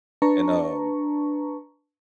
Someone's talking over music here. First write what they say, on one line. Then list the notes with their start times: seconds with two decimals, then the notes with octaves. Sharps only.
and, um,
0.22 D4 B4 A5 A#5 C#6